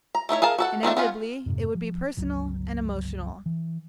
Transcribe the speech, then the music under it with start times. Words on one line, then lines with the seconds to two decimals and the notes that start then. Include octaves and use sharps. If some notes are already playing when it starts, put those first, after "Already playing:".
Inevitably, it would be personal and emotional.
0.15 A#5
0.29 A3 D#4 E4 C#5
0.42 G#4 A#4 F5 A5
0.58 F#4 A4 F#5
0.83 D#3 F3 A3 D4
0.97 B3 C#4 F4
1.46 F2 G#2 C3
1.75 F3
2.17 G1 C#2 F#3
3.46 E3